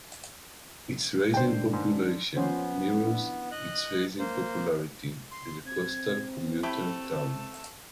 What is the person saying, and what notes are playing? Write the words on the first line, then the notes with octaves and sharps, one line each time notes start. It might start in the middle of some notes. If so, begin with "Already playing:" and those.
Its rise in population mirrors its rise in popularity as a coastal commuter town.
G2 D#3 D4 C5 G5
G#2
F3 B3 C#4 C5
D4 E4
D#5 F#6
A#3 C5
C6
C4 G#6
A3 E4 G4 A5